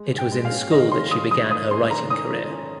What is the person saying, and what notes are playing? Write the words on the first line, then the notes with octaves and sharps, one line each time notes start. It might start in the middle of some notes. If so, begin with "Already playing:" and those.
It was in school that she began her writing career.
Already playing: G#3
G#2
G5
G#3
F5
C#4
D#3 D#5
C#4 C6
D#3 D#6
G#2 D#6
A#3 D#6
C#4 C6
D#3 A#5
C#4 D#6
F4
C#4